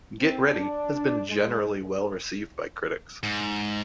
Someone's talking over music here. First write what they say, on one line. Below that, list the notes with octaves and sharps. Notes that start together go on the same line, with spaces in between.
"Get Ready" has been generally well received by critics.
C4
D4
G#3
G#2